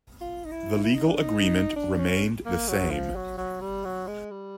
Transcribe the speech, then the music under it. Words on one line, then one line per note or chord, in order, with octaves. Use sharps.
The legal agreement remained the same.
F4
D#4
E4
E4
D#4
D4
D#4
D4
C#4
A#3
F#3
F3
F#3
F#3
G3
F#3
G#3
G3